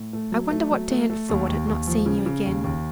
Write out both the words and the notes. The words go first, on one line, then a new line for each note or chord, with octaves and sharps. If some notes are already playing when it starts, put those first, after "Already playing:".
I wonder what Dan thought at not seeing you again?
Already playing: A2
A3
F#3
A3
F#3
A3
A3
D#2
D#2
D#2
F3
C#3
C#3
D#2
D#2